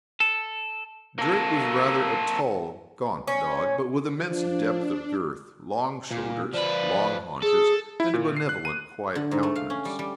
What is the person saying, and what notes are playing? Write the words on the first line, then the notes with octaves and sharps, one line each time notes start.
Drake was rather a tall, gaunt dog, but with immense depth of girth, long shoulders, long haunches, and a benevolent, quiet countenance.
A4
A#3 A4
C#4
F3 D4
A#2
F3 B4 D5
G#4 A4
E4
A#2
C7
F#6
D#7
D3
G#2
A3
F5
C#4
G3
G3